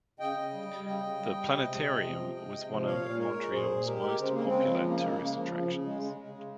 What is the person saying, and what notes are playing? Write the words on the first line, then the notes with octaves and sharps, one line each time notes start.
The Planetarium was one of Montreal's most popular tourist attractions.
C#3 D#5 G5
C#3
G3
G3
C#3 D#5 G5
C#3
G3
G3
C3
G#3
C3
F3
C3
G#3
C3
F3
A#2 C#5 F5
A#2
G#3 A#4 C#5
G#3
A#2 G#4 C5
A#2
G#3 G4 A#4
G#3
C#3 C4
G#3 A#3
G#3 C4
C#3
F3
C#3 A#3
G#3
C#3
F3
C#3
C#3
G#3
G#3
C#3 G#3
C#3